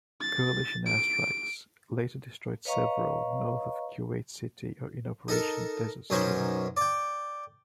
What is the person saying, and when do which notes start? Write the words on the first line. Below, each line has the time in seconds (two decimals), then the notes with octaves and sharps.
Coalition air strikes later destroyed several north of Kuwait City in Operation Desert Storm.
0.22 A6
0.86 D7
2.65 B4 C#5 D#5 F5 A#5 C#6
5.28 D#4 A4 A#4
6.10 B1 F#2 C#4 D#4 C5
6.77 D5 G5